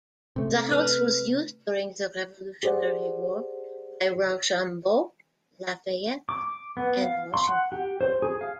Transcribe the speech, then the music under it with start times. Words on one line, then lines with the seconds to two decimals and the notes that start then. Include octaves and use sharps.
The house was used during the Revolutionary War by Rochambeau, Lafayette, and Washington.
0.36 C3 A3
0.72 B4 F6
2.63 G4 G#4 C5 D5 F#5
6.29 D6
6.77 B3
7.01 F5
7.34 C6
7.47 F#5
7.72 G4
8.01 C5
8.22 G#4
8.41 F5